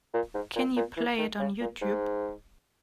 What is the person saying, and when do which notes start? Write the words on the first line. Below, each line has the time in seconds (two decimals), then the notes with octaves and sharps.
Can you play it on Youtube?
0.14 A#2
0.34 G#2
0.56 A#2
0.76 A#2
0.97 E3
1.18 D#3
1.39 C#3
1.60 A#2
1.82 G#2